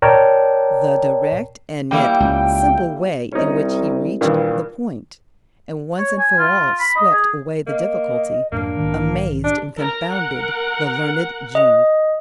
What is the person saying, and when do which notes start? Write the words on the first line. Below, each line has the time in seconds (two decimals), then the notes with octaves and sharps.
The direct and yet simple way in which He reached the point, and once and for all swept away the difficulty, amazed and confounded the learned Jews.
0.02 A#4 C#5 D5 G5 A5 A#5
1.91 G3 A#3 E4 G5
2.20 C#2
3.32 C2 C#4 D#4
4.21 G2 A#2 D#3 E3
5.98 C#5
6.18 G#5
6.39 F4
6.80 B5
6.96 D#5
7.13 G#4
7.67 A#3 D#5
8.52 F2 G#2 F3 A#3 D4
8.77 B1 G#2 D#3
9.44 D4 G4
9.78 A#4 A#5
10.09 A#4 F#5
11.55 D#5